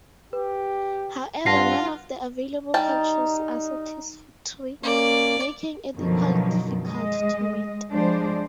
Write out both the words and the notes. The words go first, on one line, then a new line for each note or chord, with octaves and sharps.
However, none of the available captures are satisfactory, making it equally difficult to meet.
G4 B4
G2 F4 F#5 A5 A#6 C7
G3 D#4 G5 A5
A#3 C#4 D5
F#2 B2 D3 D#3 F3 F#3
G#3 D#5
F3 G3 G#3 D4 C5